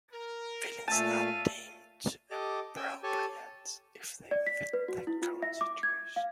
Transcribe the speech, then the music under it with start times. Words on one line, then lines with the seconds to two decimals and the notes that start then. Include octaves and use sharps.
Feelings are deemed appropriate if they fit the current situation.
0.12 A#4
0.88 A#2 A3 C#4 E5 F5 A5 D#7
2.31 G4 A4 D#5 D6
2.76 C#4 G5 G#5 E6
3.03 G4 A4 C#5 G#5 A5
4.31 D5
4.47 B6
4.73 B4
4.88 F#4
5.07 E4
5.22 F4
5.42 E5
5.61 D6
5.83 G#6
6.16 F5